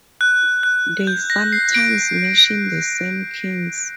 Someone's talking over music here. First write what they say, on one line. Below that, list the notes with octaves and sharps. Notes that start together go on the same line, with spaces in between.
They sometimes mention the same kings.
F#6
F#6
G6
A#6
C7
D7